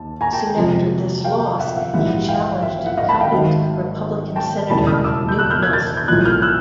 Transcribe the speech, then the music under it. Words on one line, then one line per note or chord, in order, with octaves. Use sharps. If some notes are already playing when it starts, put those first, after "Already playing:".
Soon after this loss he challenged incumbent Republican senator Knute Nelson.
Already playing: D#2 A5
G#5 A#5
G5 A5
F2 C3 F3 G#3
F5 G5
E5 F#5
E5 F#5
A#1 G#2 E3 G3 E5 F#5
F5 G5
E5
F#5
D#5 F5
A5 B5
F5 G5
G#1 G#2 D#3 F#3 E5
G5 A5
E1 D#2 C#3 E3 G#3 A5 B5
D#6 F6
D6 E6
G6
E6 F#6
F6 G6
F#6 G#6
G6 A6
G6
B1 A2 F3 G#3 F#6 G#6
F6 G6
E6 F#6